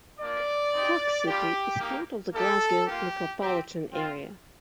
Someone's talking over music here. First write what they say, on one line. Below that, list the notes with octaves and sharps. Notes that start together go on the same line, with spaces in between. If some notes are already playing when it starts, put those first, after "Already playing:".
Park City is part of the Glasgow micropolitan area.
A#3 D4 F4 D5
C4 D#4 G4
G3 D4 F4 G4
A#3 D#4 G4
A#3 D#4 G4 A4
A#3 F4 G4
C4 G4
C4 F4